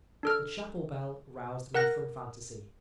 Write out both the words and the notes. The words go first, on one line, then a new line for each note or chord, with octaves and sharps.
The chapel-bell roused me from phantasy.
D4 A4 F6
A#4 F#5 F#6 A#6